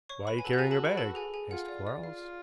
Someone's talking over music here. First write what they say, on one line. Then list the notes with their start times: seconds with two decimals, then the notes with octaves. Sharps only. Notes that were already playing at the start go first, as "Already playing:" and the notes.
"Why carrying a bag?" asked Quarles.
0.09 C#5 C#6
0.27 B4 B5
0.38 G#5
0.45 F#4 A4 A5
0.53 F#5
0.58 G#4 G#5
0.71 A4 A5
0.85 B4 B5
0.97 A4 A5
1.15 G#4 G#5
1.34 G#4 G#5
1.51 F4 F#5
1.68 D5
1.87 D5
2.04 F4 F5